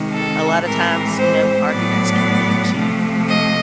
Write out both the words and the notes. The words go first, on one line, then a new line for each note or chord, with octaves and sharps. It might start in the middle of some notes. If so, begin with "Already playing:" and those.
A lotta times, you know, arguments can lead to
Already playing: C3 D#3 G#3
A4
A2 E3 G#3 C4 A#4
C5
A2 F#3 B3 D5
C3 F3 A3
D#5